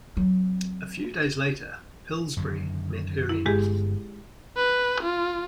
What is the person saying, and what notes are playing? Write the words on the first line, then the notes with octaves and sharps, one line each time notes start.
A few days later "Pillsbury" met her end.
F#3 C4
F#2 D3 D#3
E4
G1 G2 G#3 B3 G4 G#4
B4
F4